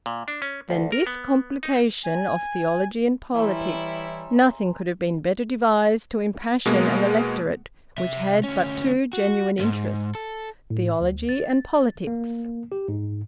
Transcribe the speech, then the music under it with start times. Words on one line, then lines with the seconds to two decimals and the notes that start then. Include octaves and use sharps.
Than this complication of theology and politics nothing could have been better devised to impassion an electorate which had but two genuine interests-- theology and politics.
0.06 A#2
0.28 D4
0.42 C#4
0.70 D2
0.92 A#4
1.07 B3
1.63 D#4
2.04 G#5
3.35 E3 G3 E4 C#5 E5 G#5 A#5 C6
6.66 B2 G#3 A#3 B3
7.98 C3 E5
8.44 D2 C#4
9.13 F#4
9.59 D2 G#2
10.15 A4
10.70 A2
11.01 D2
11.29 A6
12.07 A#3
12.72 G4
12.88 G#2